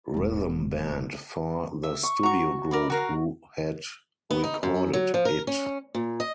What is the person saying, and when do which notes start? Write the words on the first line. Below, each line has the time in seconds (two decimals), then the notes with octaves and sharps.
Rhythm Band for the studio group who had recorded it.
0.14 E1 G#3
1.83 E5
2.03 C#6
2.23 F#4 A#5 C#6
2.71 A#4 D5 B5
2.90 F#4 A#4 F5
4.31 B3
4.44 D#4
4.63 F#2
4.93 F#3
5.14 F3
5.25 A#4
5.47 C#4
5.95 A#2
6.20 D#5